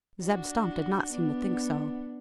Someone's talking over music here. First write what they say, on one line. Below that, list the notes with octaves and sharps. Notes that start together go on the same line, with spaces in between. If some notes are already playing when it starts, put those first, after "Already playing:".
Zeb Stump did not seem to think so.
D4 F#4
B3 D4